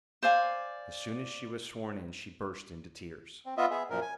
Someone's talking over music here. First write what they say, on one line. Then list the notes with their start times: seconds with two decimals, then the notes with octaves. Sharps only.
As soon as she was sworn in she burst into tears.
0.23 C5 D5 F5 G#5
3.46 C4
3.57 B3 F4 D#5 E5
3.71 B3 G#4 E5
3.90 F#2 A#2 F3 A#4
4.02 G#5